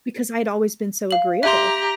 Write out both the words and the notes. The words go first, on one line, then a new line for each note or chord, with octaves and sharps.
because I'd always been so agreeable.
F5 F#7
G4 E5 A#5 C6